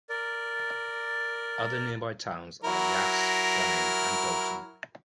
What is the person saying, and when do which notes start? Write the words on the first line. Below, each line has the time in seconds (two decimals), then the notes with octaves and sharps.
Other nearby towns are Yass, Gunning and Dalton.
0.09 A#4 D5
2.64 F#3 E4 A#4